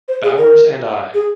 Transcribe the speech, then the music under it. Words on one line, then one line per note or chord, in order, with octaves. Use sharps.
Bowers and I.
C5
G#4
A#4
G#4